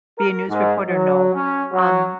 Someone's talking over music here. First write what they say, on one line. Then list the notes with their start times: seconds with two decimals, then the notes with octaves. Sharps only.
Be a news reporter, no, um,
0.18 A#4
0.49 G#2
0.88 F#3
1.34 C#4
1.72 F#3